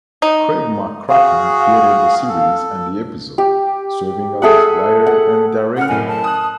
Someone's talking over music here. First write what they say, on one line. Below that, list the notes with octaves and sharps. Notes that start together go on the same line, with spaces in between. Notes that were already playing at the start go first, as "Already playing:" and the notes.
Craig McCracken created the series and the episode, serving as writer and director.
D#4
F#4 G#4 F5
A4
G4
G#4 A4 E5 F#5
F#5
C#3 F#5 F6
F#1 A2 G#5
A5
D#6 F#6